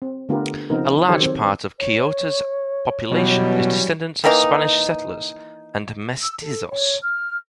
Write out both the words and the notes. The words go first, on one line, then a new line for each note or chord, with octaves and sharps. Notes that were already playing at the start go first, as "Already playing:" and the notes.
A large part of Quillota's population is descendants of Spanish settlers and Mestizos.
C4
D3 A3 B3 F4 G4 A#4
C#3 F3 B3 C4 D#4 A#4
D#3 F#3 G4 A4 C5 C#5
C4
C#5
B2 E3 F#3 G3 C#4
D#3 E3 A#3 D#4
E6
A4
C#5
F6